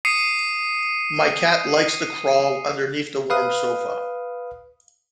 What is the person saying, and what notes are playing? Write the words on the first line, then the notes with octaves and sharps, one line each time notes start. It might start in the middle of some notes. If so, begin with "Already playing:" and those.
My cat likes to crawl underneath the warm sofa.
D#6 C7 C#7 D#7
B4 F5 D#6